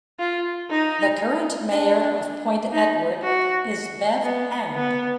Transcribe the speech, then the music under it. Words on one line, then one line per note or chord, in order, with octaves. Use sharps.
The current mayor of Point Edward is Bev Hand.
F4
D#4
D4
D#4
F#4
B3
B3